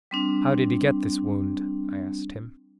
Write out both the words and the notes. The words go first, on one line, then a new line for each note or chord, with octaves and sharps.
"How did he get this wound?" I asked him.
G3 C4 D4